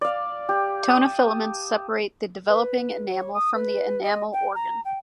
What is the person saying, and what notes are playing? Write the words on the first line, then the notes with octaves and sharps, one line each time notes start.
Tonofilaments separate the developing enamel from the enamel organ.
D5 F5
G4
A5 D#6
B4
C#5
D#6
B4
D#5
G5
A#5
G5